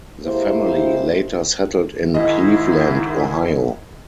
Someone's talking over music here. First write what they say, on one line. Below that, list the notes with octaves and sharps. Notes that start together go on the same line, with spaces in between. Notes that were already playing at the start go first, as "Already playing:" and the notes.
The family later settled in Cleveland, Ohio.
G#3 A#3 E4 G4 C5
G#2 D#3 E4 D#5